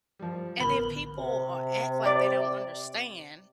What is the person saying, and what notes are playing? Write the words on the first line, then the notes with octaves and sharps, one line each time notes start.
And then people, uh, act like they don't understand
F3 G3
A1 D3 B3 A#4 B5 G7
C3
D5 D6